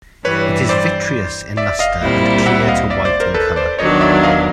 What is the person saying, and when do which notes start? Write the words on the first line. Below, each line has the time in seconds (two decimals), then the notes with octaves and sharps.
It is vitreous in luster and clear to white in color.
0.24 G2 E3 G3 B4 C#5
0.69 C5 D5
1.57 D5 E5
1.79 D#5 F5
2.01 A#2 G3 C4 E4
2.46 E5 F#5
2.68 D#5 F5
2.90 D5 E5
3.05 C5 D5
3.20 A#4 C5
3.34 A4 B4
3.56 C5 D5
3.78 D#3 F#3 B3 D4 C#5 D#5
4.01 D5 E5
4.23 D#5 F5